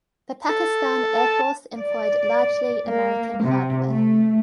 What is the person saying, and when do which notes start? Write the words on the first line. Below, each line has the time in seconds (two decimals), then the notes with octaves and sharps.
The Pakistan Air Force employed largely American hardware.
0.49 A4
1.18 A5
1.78 D5
2.87 A#3
3.44 C3
3.89 A3